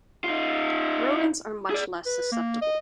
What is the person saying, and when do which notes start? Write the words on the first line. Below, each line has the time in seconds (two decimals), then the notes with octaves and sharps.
Rodents are much less susceptible.
0.24 D#4 F4
1.70 G#4 D5
2.06 B4
2.32 A#3
2.62 D#5